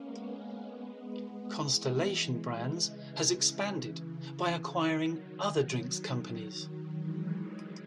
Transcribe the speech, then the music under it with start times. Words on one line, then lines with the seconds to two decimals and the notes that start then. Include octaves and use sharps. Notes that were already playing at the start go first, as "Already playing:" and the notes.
Constellation Brands has expanded by acquiring other drinks companies.
Already playing: G#3 A#3 B3 C#4
1.30 G#3 B3
1.64 E3 G#3
2.70 C#3 E3
4.10 C#3 E3
4.44 C#3 E3
4.79 D#3 F#3
6.90 E3 G#3